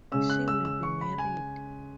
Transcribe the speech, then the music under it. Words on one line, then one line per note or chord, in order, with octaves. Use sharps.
She will be married!
C#3 G#3 C#4 E6
F#6
E6
E6
C#6
B5
G#5